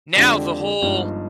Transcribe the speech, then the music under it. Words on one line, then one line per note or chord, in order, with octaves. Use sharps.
now the whole
F2 D3 G#3 D4 G4
G1 G2 F3 G#3 D#4